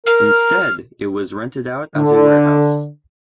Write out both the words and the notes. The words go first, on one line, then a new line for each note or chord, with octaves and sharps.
Instead it was rented out as a warehouse.
A#4 F6
D3